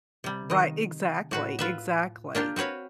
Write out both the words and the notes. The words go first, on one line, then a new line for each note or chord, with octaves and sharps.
Right, exactly, exactly.
C3 G3
D#3 D#5
A2 F#4 B4
F4 B4 E5
A#3 D4 F4 G4
C4 F#4 B4 C#5 F5